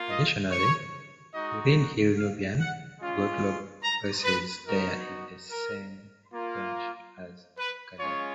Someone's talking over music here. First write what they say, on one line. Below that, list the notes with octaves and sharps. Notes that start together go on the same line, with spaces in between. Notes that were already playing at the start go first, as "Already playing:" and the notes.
Additionally, within Hill Nubian, Glottolog places Dair in the same branch as Kadaru.
Already playing: A#3 F4
D#5
C#5
G#3 D#4 F#4 D#5
F5
F#5
G#3 C#4 F4
A#5
B4
B3 D#4 F#4 A#4
A#4
A#3 F4
B4
G#3 C#4 F4 C#5